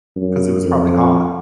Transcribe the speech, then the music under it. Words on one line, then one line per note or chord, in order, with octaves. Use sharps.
'Cause it was probably hot.
F#2
F2